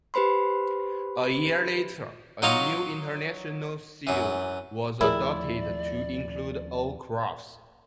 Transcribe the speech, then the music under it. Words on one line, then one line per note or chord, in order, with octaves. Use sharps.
A year later, a new International seal was adopted to include all crafts.
G4 B4 C5 B5 C6
F#3 D#4 F4 C#5 F5
F#2 E3
D#2 F3 G3 A3 E4 G#4 A#4 D5